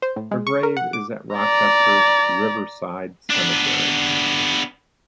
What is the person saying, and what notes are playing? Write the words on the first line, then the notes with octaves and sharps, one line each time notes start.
Her grave is at Rochester's Riverside Cemetery.
C5
A2
G#3
C#6
A#4
F#5
D6
D5 A#5
B3 D4